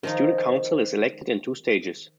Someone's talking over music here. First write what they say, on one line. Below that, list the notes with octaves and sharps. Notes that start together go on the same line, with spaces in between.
The Student Council is elected in two stages.
D#3 F3 D#4